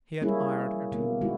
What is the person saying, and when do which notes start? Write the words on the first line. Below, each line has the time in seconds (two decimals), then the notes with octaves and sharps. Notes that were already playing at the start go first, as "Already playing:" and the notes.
He admired her, too.
0.21 G3 A#3 C#4 E4 G#4
0.92 B2 A#3 B3
1.21 D#3 G#3 E4 F#4